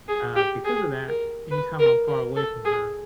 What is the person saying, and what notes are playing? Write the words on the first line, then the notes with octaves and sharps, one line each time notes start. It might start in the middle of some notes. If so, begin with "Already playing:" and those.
uh, because of that, any time I'm far away from her,
G#4
G4
G#4
A#4
B4
A#4
A#4
A4
G#4